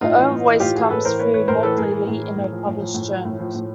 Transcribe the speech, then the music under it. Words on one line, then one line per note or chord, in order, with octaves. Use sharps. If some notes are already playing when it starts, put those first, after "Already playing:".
Her own voice comes through more clearly in her published journals.
A2 D#4 F4
E3
A2
E3
A2 F4 G4
E3 F#4 G#4
A2 A4 B4
E3 A#4 C5
A2 B4 C#5
E3 B4 C#5
A2 A#4 C5
E3 A4 B4
A2 G#4 A#4
E3
A2
E3
A2
F3
A2
F3
A2
F3
A2
F3
A2